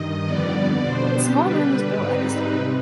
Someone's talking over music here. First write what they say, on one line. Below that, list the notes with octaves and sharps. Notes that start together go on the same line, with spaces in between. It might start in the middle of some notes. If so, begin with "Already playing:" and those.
The small room was built at this time.
Already playing: G2 D#3 D#5
F2 D3 G3 B3 D5
B2 B3 D4 C5
G4
D3 G3 D4 B4
G#2 G3 C4 D#4
C3